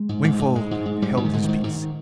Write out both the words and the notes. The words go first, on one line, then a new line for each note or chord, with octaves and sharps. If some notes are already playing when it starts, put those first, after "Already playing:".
Wingfold held his peace.
Already playing: G#3
G#2
G#2
G#2
G#2 G#3
G#2
G#2
G#2 G3
G#2
D#3
G#2 D3
G#2 D#3
G#2